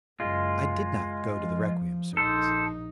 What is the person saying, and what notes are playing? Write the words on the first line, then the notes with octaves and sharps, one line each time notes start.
I did not go to the requiem service.
F#1 G#3 F4
F3
A#1 D#4 A4 C5